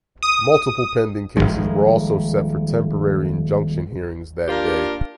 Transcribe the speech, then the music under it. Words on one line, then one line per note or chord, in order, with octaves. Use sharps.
Multiple pending cases were also set for temporary injunction hearings that day.
D#6
D#1 F2 F3 G#3
A#3 D4 F4 G4 A#4